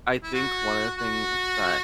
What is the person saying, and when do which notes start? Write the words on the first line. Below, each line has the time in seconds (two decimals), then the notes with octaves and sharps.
I think one of the things that
0.23 E4
0.34 F#4
0.98 F#4